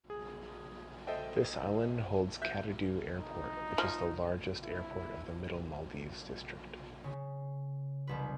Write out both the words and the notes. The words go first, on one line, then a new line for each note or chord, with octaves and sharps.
This island holds Kadhdhoo Airport, which is the largest Airport of the Middle-Maldives District.
G#4
A4 C5 D#5 E5 G5
E5 F#6 G6 B6
D#4
F3
E4
C#3
F1 C2 B4